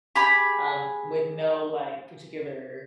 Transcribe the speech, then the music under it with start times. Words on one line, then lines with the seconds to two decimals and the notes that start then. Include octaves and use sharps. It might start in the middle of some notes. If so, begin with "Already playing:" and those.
um, with no, like, particular,
0.15 G4 G#4 B5